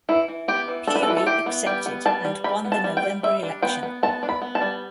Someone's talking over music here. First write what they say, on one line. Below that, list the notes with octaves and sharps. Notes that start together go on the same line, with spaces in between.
Peery accepted, and won the November election.
E3 E4
E3
B3 G4
E3
D4 A4
B4
A4
E3 B4
A4
E3 G4
B3
G3 G4
B3
G3 A5
G3
G3 B5
B3
A5
G3
G5
G3
G3 E5
D4
B3 G5
B3
B3 A5
D4
B5
B3
A5
G3